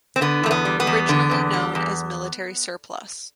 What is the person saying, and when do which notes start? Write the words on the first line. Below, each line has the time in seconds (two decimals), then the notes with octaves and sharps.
Originally known as 'Military Surplus'.
0.16 C4
0.21 D3 B3
0.43 E2 A3
0.51 B3
0.65 G3
0.80 B3
0.87 E2
1.09 D3
1.31 E2
1.53 G3
1.75 E2